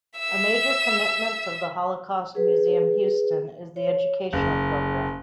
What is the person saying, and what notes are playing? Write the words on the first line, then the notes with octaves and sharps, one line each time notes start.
A major commitment of the Holocaust Museum Houston is the educational program.
E5 E6
G#4 B4
C#5
F#1